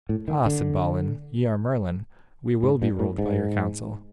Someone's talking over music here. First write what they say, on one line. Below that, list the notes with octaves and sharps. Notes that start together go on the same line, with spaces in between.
Ah! said Balin, ye are Merlin; we will be ruled by your counsel.
A2
D#3
D3
G#2
G2
A2
G#2